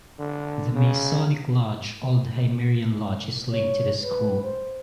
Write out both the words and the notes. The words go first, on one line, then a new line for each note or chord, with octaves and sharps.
The Masonic lodge Old Hymerian Lodge is linked to the school.
D3
C#3
C#5
B4
C5